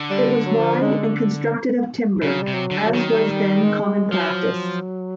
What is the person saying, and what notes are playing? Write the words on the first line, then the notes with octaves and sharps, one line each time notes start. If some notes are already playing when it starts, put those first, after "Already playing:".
It was wide and constructed of timber, as was then common practice.
Already playing: D3
G3
F#3
F3
G#3
C#3 F#3
C3 G3
F#3
D3
G3
F#3
D#3
F#3
G3
G#3
F3 F#3